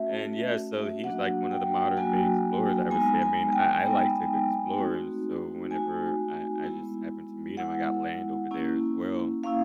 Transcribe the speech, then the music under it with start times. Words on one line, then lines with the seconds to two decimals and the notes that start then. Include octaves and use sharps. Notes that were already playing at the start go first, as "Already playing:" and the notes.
And yeah. So he's, like, one of the modern-day explorers, I would say. I mean, I I like to g explore. And so whenever I I just happened to meet him. I got land over there as well.
Already playing: A3 C#4 F#4 E5
0.10 A3 C#4 F#4
1.04 F#3 A#3 D4 F#4 F#5
1.51 G5
1.97 F#3 A#3 D4 F#4 G#5
2.90 G#3 B3 D#4 G#5
3.22 G#5
3.52 G5
3.84 G#3 B3 D#4
4.77 A3 C4 D#4 F#4
5.71 A3 C4 D#4 F#4 G#5
6.64 G#3 B3 E4
7.57 G#3 B3 E4 F#5
8.51 A#3 C#4 E4
9.44 A#3 C#4 E4 F5